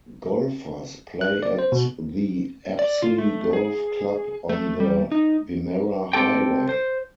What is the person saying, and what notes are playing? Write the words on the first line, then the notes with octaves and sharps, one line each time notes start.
Golfers play at the Apsley Golf Club on the Wimmera Highway.
F#6
D5
C5
B2
D5
F4
A3
G#4
A3
G3
D#4
C4 G4 A4 G5
C5